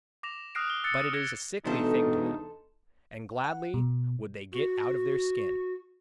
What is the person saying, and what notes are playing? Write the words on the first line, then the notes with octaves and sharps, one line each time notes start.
But it is a sickly thing to them, and gladly would they get out of their skin.
D6 A#6 E7 F7
D#6 F6 F#6 A#6 C7 D7
G7
E6 F#6 A6 C#7
D#6 F6 G#6 A#6 C#7
E2 B2 D4 D#4 A4 C5
F#5
B2
F#4